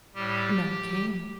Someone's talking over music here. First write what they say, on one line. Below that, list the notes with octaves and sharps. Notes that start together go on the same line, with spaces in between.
None came.
A2 G3 G4